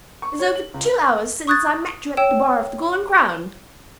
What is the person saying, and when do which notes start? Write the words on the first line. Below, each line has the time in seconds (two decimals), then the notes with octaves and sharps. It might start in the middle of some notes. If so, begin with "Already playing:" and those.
"It is over two hours since I met you at the bar of the Golden Crown."
0.22 C#6
0.39 C#5
0.56 F#7
0.74 C#2
1.47 C#6 D#6 F#6 G#6 A6
2.17 C#5 G5 E6 E7